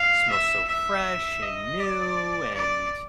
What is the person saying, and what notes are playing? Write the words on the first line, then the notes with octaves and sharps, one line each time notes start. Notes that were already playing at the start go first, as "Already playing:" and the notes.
smells so fresh and new, and,
Already playing: F5
E5
E5
D#5
D5
D5